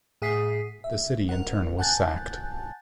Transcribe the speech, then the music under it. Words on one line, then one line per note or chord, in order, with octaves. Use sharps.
The city in turn was sacked.
A2 G#4 F#5 D#6 B6 C7
E5
A#4 F#5
F#5 G#5 A5 F#6 G6 A6